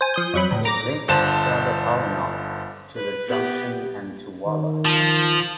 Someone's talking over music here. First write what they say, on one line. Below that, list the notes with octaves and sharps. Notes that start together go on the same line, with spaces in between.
It links Praga-Północ to the junction and to Wola.
C5 G#5
F3 D#6 G6
F2 F#3 B5
D2 A2
A#5 D6 A#6
G1 D3 C5 A5
B4
B3 G4
D#3
F3